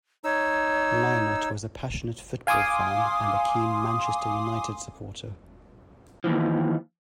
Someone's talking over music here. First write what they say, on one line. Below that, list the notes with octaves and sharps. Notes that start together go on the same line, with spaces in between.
Lynott was a passionate football fan, and a keen Manchester United supporter.
D#4 C#5 E6
F5 G#5 C6 D6 D#6
D#2 A2 E3 F3